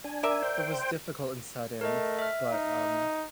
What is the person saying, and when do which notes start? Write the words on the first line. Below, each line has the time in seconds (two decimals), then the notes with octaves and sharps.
it was difficult and sudden, but, um
0.04 D4 G#5
0.23 A#4 D5 E5
0.43 C5 G5
1.81 A3 A#4 D#5
2.19 E5 F6
2.52 D#4